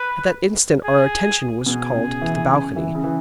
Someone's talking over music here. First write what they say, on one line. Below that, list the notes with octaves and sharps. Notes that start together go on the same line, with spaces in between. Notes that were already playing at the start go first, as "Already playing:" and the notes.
At that instant our attention was called to the balcony.
Already playing: B4
G#4
B2 G#4
C#3
E3
C#3
E3
C#3
E3